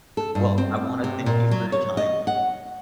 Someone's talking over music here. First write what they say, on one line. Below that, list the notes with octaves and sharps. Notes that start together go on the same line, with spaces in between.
Well, I wanna thank you for your time.
A4
G2
C4
C3
A#2
F#3
C#5
D#5
F#5